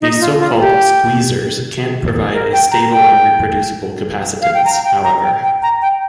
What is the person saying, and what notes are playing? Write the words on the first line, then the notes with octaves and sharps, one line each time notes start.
These so-called "squeezers" can't provide a stable and reproducible capacitance, however.
D#4
F4
F4
G4
A#4
G5
A#5
G5
F5
G5
A#5
G5
A#5
G5
G5
A#5
G5